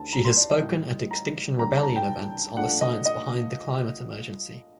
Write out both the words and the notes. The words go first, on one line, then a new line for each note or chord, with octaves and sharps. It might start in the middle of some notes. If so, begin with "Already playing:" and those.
She has spoken at Extinction Rebellion events on the science behind the climate emergency.
Already playing: D2 D3 A3 D4 A5
A#5
C6
D5
D#5
A1 A2 G3
A#5
D#2 D3 G3 A#5
A5
A#5
G5
A#1 A#2 A3 D4 F#5
D#5
D#5